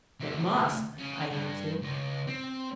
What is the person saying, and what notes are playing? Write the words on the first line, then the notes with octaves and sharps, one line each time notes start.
"It must," I answered.
D2 C3
C#3
G2
C#2
C4